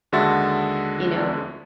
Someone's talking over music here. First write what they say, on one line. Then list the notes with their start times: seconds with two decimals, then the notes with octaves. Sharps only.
you know,
0.12 D#2 D3 G#3 F#4 E5 A6